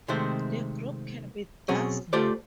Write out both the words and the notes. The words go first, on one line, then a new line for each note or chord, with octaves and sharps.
The group can be dazzling.
C3 D#3 G#3 A3 C4 C5
B2 F#3 C4 C#4 G#4
A3 F4 G4 C5 D5